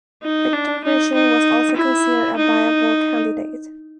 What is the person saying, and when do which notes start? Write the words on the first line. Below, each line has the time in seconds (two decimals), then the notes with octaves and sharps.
Viktor Grishin was also considered a viable candidate.
0.23 D#4
0.53 D4
0.84 D#4
1.14 D#4
1.76 E4
2.37 D#4